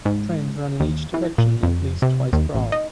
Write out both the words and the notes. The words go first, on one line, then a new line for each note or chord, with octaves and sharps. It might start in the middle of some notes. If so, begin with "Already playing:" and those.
Trains run in each direction at least twice per hour.
G#2
D#2
E3
A#2
F2
C3
D#2
A1
D#4